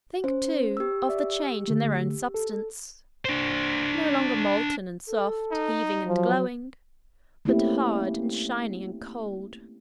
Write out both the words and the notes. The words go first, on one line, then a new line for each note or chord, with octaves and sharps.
Think, too, of the change in their own substance--no longer molten and soft, heaving and glowing, but hard and shining and cold.
C#4 C5
G4 E6
D5 E5
D3 A3
A4
D4 C5
A4
D#4
F3 F#3
A3 A#3 C4 C#4 E4 G4